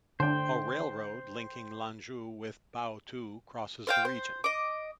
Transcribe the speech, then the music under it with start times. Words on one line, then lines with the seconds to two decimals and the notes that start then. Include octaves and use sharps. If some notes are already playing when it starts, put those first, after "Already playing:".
A railroad, linking Lanzhou with Baotou, crosses the region.
0.20 D3 D4 C5 G5
3.87 C5 F5 G5
4.05 C5
4.44 D#5 D6